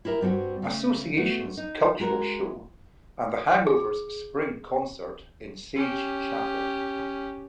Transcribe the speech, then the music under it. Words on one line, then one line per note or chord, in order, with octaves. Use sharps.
Association's cultural show, and The Hangovers' spring concert in Sage Chapel.
E4 G4 A#4 E5
G2 G3 C4 F#4
C#3 A3
A3 B3 F#4
D#4
G#3 F#4 A#4
G#4
C#4 G4